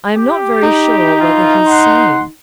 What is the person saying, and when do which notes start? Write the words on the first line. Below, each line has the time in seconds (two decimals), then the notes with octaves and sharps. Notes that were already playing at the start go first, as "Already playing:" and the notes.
"I am not very sure whether he's sane."
0.16 G4
0.63 D#4
1.20 E3 F4
1.67 F#5 C6